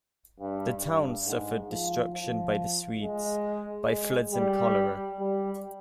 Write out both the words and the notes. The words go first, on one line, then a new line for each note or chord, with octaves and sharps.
The town suffered destruction by the Swedes, by floods and cholera.
G2
G2
G#2
F3
F3
G#3
G#3
G3
G3